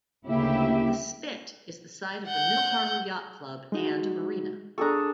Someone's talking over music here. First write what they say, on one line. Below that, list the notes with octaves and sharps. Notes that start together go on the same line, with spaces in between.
The Spit is the site of the Middle Harbour Yacht Club and a marina.
D2 C#3 A#3 E4 G4 E5
F#5 G6
G#3 D#4 F#4
D4 G#4 A4 A#5 C#6